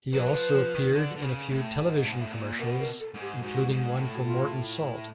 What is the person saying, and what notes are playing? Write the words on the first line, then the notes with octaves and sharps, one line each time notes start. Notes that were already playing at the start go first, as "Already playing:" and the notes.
He also appeared in a few television commercials, including one for Morton Salt.
F#3 B4
F#3
F3
F3
D#3
D3
D3
C#3
A2
G#2
A2
G#2
A2
A#2
B2 A#4
A#4
A4
G#2
G4
G#2 F#4
G#2
A2
F#4
F4